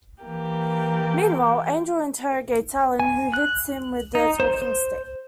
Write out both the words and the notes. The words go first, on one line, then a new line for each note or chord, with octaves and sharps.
Meanwhile, Angel interrogates Allen, who hits him with the talking stick.
E3 A#3 G4
G#5
F#6
D#4
C5
C5